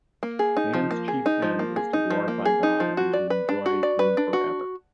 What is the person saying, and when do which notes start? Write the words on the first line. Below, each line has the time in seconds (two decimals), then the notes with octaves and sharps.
Man's chief end is to glorify God, and to enjoy him forever.
0.23 A#3
0.39 G#4
0.57 D#4
0.74 F3
0.91 A#3
1.08 G#4
1.26 D#4
1.42 F3
1.59 A#3
1.76 G#4
1.93 D#4
2.11 F3
2.28 A#3
2.45 G#4
2.63 D#4
2.80 F3
2.97 F#4
3.13 D5
3.30 B4
3.49 D4
3.66 F#4
3.83 D5
3.99 B4
4.17 D4
4.33 F#4